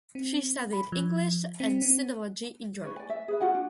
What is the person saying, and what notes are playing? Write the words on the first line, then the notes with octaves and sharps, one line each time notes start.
She studied English and sinology in Germany.
C4
B5
F3
C4
C4
E4 B4 C#5 D5
D5 G#5
E5
G#4 B4 E5
F4 F#4 F#5 G#5
D4